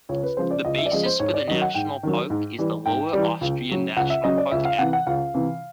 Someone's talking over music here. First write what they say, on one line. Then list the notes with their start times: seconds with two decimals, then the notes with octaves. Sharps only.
The basis for the national park is the Lower Austrian National Park Act.
0.09 C#2 C#5
0.23 B4
0.37 C#3 F3 G#3 C5
0.51 D5
0.65 C#2 D#5
0.78 E5
0.86 D5
0.92 C#3 F3 G#3 D#5
1.06 C5
1.20 G#2 C#5
1.34 D5
1.47 D#3 F#3 D#5
1.62 F#5
1.75 G#2 G5
2.03 D#3 F#3
2.30 G#2
2.58 E3 G3
2.86 G#2 G5
3.13 E3 G3
3.41 C#2
3.69 C#3 F#3
3.96 C#2 F#5
4.10 E5
4.24 C#3 F#3 D#5
4.37 D5
4.51 C#2 E5
4.65 F5
4.79 C3 E3 F#5
4.93 F#5
5.07 C#2 F5
5.34 C3 E3